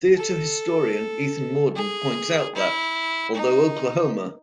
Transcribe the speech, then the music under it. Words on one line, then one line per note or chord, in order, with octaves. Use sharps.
Theater historian Ethan Mordden points out that, although Oklahoma!
A4
G#4
E4
D#4